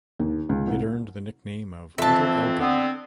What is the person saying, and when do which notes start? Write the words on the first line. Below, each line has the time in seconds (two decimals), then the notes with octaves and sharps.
It earned the nickname of "Little Elgin".
0.19 D#2
0.49 C#2
0.68 C2
1.98 F2 E3 C4 E5 A5
2.59 D3 B3 C4